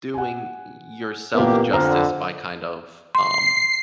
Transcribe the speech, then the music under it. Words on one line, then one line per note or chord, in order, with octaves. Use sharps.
doing y y yourself justice by kind of, um,
F#5 G#5
A1 A#2 A#3 B3 G4
F2 D3 C5 A#5 F6
C6 C7